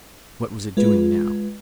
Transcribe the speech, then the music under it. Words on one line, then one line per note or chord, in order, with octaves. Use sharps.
What was it doing now?
G#3 F4 B4